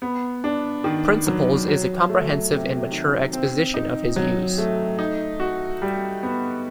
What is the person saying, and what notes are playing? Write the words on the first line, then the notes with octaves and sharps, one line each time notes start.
"Principles" is a comprehensive and mature exposition of his views.
B3
D4
D#3
F#3
F#3
A3
C3
D#3
C4
D#4
F#3
A3
D#4
F#4
G3
B3